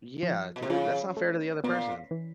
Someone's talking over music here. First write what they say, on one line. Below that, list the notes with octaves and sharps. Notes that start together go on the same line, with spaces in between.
Yeah, 'cau uh that's unfair to the other person.
F3
B2
C3
C#3 F3
A3
A#2 B3
E3